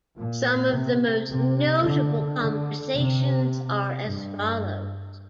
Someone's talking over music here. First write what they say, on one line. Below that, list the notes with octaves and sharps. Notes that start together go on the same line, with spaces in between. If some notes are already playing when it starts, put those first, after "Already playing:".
Some of the most notable conversations are as follows.
A#2
C3
C3
D3
D3
C3
G2